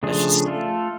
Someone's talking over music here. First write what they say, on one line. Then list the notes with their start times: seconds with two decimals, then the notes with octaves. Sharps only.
that's just
0.03 C#3 F3 A3 D4 G#4
0.46 A3 F4 A4